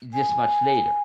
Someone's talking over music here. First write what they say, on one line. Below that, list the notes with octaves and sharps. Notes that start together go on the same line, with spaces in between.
this much later.
G#5